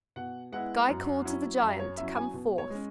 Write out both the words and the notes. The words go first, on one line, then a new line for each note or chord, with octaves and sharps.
Guy called to the giant to come forth.
B2 F#5
G#3 B3 E4 F#5
F#2
F#3 C#4 E4
F#2 E5
C#5
F#3 C#4 E4 E5
G#5
B2
C#5
G#3 C#4